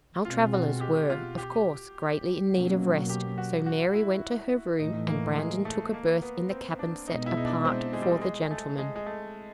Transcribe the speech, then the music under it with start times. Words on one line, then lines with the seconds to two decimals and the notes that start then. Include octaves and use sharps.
Our travelers were, of course, greatly in need of rest; so Mary went to her room, and Brandon took a berth in the cabin set apart for the gentlemen.
0.25 B2 G#3 C4 F4
0.54 F#4
0.81 G4
1.10 F4
1.38 G4
2.53 B2 F#3 A#3 C#4
3.09 G4
3.38 F#4
3.66 F#4
3.94 E4
4.80 A2 E3 A3 D#4
5.08 A#3
5.37 G#3
5.65 A3
5.94 A#3
6.22 B3
6.50 C4
6.79 D4
7.08 B2 G#3 B3 D#4
7.26 E4
7.37 D#4
7.45 D4
7.65 C4
7.93 G#3
8.02 G3
8.10 G#3
8.21 G#3
8.42 G#3
8.51 A3
8.78 G#3
8.96 G#3
9.06 A3